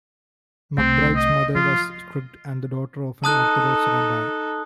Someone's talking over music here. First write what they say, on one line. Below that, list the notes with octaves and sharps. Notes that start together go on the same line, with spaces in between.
McBride's mother was strict and the daughter of an Orthodox rabbi.
C2 A3 C4
D#5
F3 F4
D#4 A4 A5 D#6 F#6